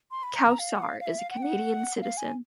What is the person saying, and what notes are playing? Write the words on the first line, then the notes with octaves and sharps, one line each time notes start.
Kowsar is a Canadian Citizen.
C6
B5
A#5
A#5
F5
F#5
F5
F5
E5
F5
F#5
G5
F#5
F#5
F5
G#5